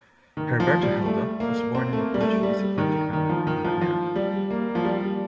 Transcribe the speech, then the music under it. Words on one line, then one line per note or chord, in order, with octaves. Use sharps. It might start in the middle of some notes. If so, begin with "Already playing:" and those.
Herberto Helder was born in the Portuguese Atlantic island of Madeira.
D#3
F3
G3
A3
A#3
C4
A3
A#3
G3
A3
G3
D#3
D#3
F3
D#3
F3
F3
G3
A#3
F3
G3